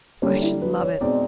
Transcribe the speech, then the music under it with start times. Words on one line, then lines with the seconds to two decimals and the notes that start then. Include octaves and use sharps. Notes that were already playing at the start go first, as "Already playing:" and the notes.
"I should love it."
0.22 D3 G3 A#3 C#4
0.32 D4
0.42 E4
0.61 B4
0.81 C#5
1.01 B2 G#3 C4 D#4 D5